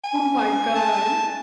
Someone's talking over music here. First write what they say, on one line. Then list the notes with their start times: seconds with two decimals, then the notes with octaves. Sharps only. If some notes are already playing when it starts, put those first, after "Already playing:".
Oh my god.
0.04 G#5
0.75 A5